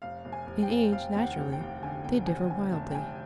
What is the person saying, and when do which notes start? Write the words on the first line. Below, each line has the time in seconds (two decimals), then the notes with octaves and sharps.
In age, naturally, they differ wildly.
0.02 F1 F5
0.25 F1
0.32 G#5
0.47 F1
0.62 G5
0.70 F1
0.92 F1 F5
1.15 D#2 G5
1.22 F#5
1.37 D#2
1.52 G5
1.60 F1
1.83 D3 G#5
2.04 F1 G5
2.27 F1 G#5
2.50 D3 G#5
2.73 F1 A5
2.91 G5
2.95 F1 G#5